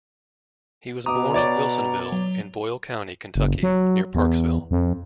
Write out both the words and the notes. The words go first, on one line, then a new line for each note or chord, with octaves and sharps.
He was born in Wilsonville, in Boyle County, Kentucky, near Parksville.
B2 A#5 D6 D#6
C#5 D5
F#3
F#1
F#3
E2
F2